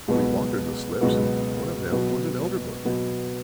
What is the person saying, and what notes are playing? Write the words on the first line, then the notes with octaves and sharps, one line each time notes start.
We watered the slips, and one of them was an Elderbush.
C#2 B2 F#3 B3 F#4
C#2 B2 F#3 B3 F#4
B2 F#3 B3
B2 F#3 B3